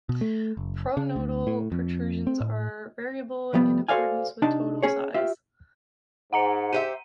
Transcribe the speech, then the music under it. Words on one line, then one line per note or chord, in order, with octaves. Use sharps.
Pronotal protrusions are variable in accordance with total size.
B2
A3
F#1
C#3
D2
A2
F2
C4
A2
C2 F2 G3 B3
F#4 A4 C5 D5 F5 G#5
C3 D4 D#4 A5
C#4 G#4 C#5
F4 G4 E5
G#2 F#5 A#5 C#7
G4 C5 E5 D#7